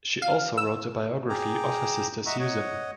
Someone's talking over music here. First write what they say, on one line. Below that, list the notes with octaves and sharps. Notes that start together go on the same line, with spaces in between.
She also wrote a biography of her sister Susan.
F5
E6
G#4 G5 A#5 D6
D#5 E5 F#5 A#5 C#6 E6
C#5 D#5 F#5